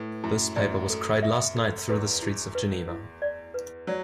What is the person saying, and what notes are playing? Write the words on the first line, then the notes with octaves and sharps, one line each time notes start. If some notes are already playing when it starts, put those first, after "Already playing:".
This paper was cried last night through the streets of Geneva.
Already playing: A2 B4
F#2 E4
F#2 D5
A4
E5
A4
E2 B4
E4
B4
E4
D5
B4
F#3 D5